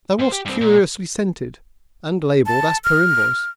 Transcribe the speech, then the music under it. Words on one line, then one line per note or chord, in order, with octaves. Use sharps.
Thou wast curiously scented, and labelled as per invoice.
G#2 C5
G4
G2 C4
A#2
A5
F6